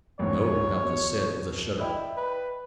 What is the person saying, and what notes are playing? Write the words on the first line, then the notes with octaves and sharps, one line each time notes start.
"No," Malchus said with a shudder.
A1 E2 G#2 C#5
B2
E4 D5 D#5 G5
B4